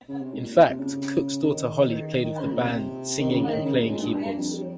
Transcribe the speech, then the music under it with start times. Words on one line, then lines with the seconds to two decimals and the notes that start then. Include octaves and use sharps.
In fact, Cook's daughter Hollie played with the band, singing and playing keyboards.
0.09 C#3
0.22 C3
0.33 G#2
0.45 A#2
0.70 C3
0.80 C#3
1.43 C#3
1.51 D#3
2.23 D#3
2.41 C#3
2.52 A#2
2.60 C3
3.19 D#3
3.30 C#3
3.48 D#3
3.65 C#3
3.78 A#2
3.90 G#2
4.02 G2
4.14 G2
4.25 G2
4.38 F2